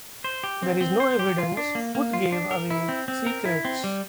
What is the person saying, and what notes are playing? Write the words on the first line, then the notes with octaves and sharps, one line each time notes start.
There is no evidence Foot gave away secrets.
C5
G4
C4
C4
C5
G4
F4
D4
A#3
A#3
F4
D4
A#4
E4
C4
C4
A#4
E4
C4
G3